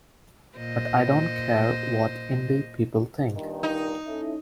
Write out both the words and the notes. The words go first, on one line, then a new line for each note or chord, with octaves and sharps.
But I don't care what 'indie people' think.
A#2 C5 D#5
G2 A#2 D#3
D#4
A3 C#4 E4